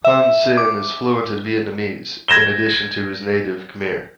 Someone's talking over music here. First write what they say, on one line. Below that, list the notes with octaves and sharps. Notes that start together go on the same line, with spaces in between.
Hun Sen is fluent in Vietnamese, in addition to his native Khmer.
E5
D6
G#6 A#6 E7 G7